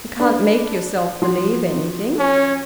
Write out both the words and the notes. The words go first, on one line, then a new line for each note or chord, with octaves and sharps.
You can't make yourself believe anything.
D4 B4
F3 F#4 C6
C#4 C#5